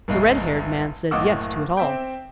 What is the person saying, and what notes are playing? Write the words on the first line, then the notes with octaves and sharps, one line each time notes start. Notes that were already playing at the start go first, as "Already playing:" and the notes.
The red-haired man says yes to it all.
G1 C2 G#3
F#1 A2 D#5 F#5 D6 E6
C4 E5 G5